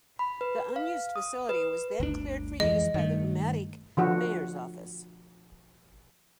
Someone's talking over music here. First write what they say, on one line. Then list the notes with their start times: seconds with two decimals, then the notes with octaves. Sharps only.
The unused facility was then cleared for use by the Umatac Mayor's Office.
0.19 B5
0.41 B4
0.76 F5
1.16 D#6
1.49 B4
2.00 G1 D2 D4
2.60 F2 E3 G#3 D#5
2.94 G2 D#3 A3
3.97 D3 F3 F#4